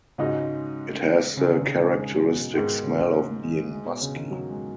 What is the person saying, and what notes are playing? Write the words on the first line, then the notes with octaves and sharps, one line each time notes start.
It has the characteristic smell of being "Musky".
G#2 C#3 G#3 D#4 F#4 D#5
C#3
D#3
C#3
G#3
G#3
F#3
B2
G#2 B2 D#3 G#3
C#3
G#3
G#3
B2
C#3
D#3
F#3
G#3